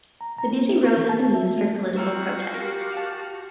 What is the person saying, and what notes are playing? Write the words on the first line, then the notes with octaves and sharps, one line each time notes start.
The busy road has been used for political protests.
A#5
A#5
A#3
E4
C#6
E3
A5
E5
A3
C4 F4 F#4 A#5 E6
G4 A#4
F5 A5